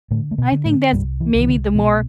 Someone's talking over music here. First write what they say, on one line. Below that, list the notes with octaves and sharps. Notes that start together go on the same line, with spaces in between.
I think that's maybe the more
A2 D3 A3
A3
B2 B3
D3
A2 A3
C2 G2 G3
E3
C2
E3
D3
B2 E3